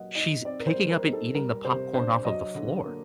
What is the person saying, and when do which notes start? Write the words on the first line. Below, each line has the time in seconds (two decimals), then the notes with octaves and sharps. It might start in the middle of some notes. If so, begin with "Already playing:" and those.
she's picking up and eating the popcorn off of the floor.
Already playing: F#3 A#3 D#5 F#5
0.15 D#4 D#5
0.45 C4 D5
0.60 A#4
0.67 C5
0.75 G3
0.90 A#4
1.05 D#4
1.13 A4
1.35 G3 A#4
1.65 C3 C5
1.94 D4 C5
2.25 F#3 D#5
2.55 D3
2.85 A#3